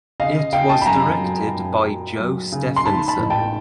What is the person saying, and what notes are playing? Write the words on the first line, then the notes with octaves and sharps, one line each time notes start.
It was directed by Joe Stephenson.
C#3 D#5 F5
C#3 F5 G5
G5 A5
B5
F#2 G#5 A#5
F#3
F#2
F#3
F#3
C#3
C6
G#2 A5 B5
A5 B5
A1
G5 A5